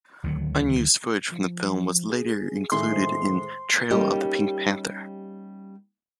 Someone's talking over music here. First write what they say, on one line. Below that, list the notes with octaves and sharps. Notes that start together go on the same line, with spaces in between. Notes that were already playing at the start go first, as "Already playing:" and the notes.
Unused footage from the film was later included in "Trail of the Pink Panther".
D2 D#3 E3 F#3
F3
G#4
A2 D#3 G#3 C6
C5
G3 A#3 C#4 D#4 G4